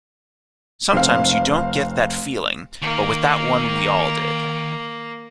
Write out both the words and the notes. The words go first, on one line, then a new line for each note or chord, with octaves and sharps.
Sometimes you don't get that feeling, but with that one we all did.
F1 C4 F5
D#3 A#3